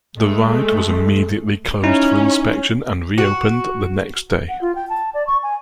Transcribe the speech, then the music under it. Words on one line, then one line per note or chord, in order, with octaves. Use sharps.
The ride was immediately closed for inspection and reopened the next day.
G#3 A3
C#4 D#4 E4
F#4
F#5
F4
G5
A5
D5
C#6
G#5